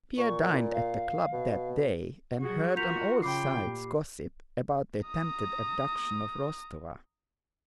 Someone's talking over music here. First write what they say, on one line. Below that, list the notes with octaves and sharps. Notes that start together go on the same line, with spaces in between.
Pierre dined at the club that day and heard on all sides gossip about the attempted abduction of Rostova.
A#2 C#6
E4
F5
B2
F#3 F#4 G#4
F4 F#4 A#4 G6 B6 F7
C#3 G5 B5 D6 C7
A#2 G4
A#5 D#6